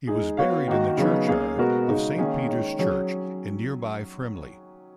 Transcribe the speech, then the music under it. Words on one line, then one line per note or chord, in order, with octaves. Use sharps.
He was buried in the churchyard of Saint Peter's Church in nearby Frimley.
G#3 D#4 G#4
B3 F#4 C#5 F5
D#3 A#3 D#4 F#4
C#3 F#3 B3 D#4
A#3 C#4 G#4 C#5 F5
B2 G#3 B3 F#4 A#4
C#3 G#3 D#4 F#4
D#3 A#3 C#4 G#4 C#5
D#3 G#3 C#4
F#3 C#4 G#4